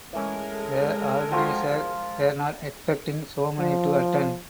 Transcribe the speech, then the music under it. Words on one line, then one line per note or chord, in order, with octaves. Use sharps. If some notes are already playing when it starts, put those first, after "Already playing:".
The organisers were not expecting so many to attend.
E3 G#3 A3 C#4 A#4
A4
F3 F4 F#4 C5 G5
F3